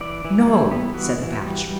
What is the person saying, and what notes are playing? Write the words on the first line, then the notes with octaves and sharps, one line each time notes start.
"No," said the Bachelor.
E3 D5
E3
G3 E4
B3
E3 F#4
E3
G3